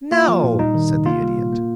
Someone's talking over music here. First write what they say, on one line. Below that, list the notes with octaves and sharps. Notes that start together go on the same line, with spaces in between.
"No," said the Idiot.
A#3 F4
F3
A#2
G3 D#4
D#3
C3
A#3 F4
G3
A#2
A#3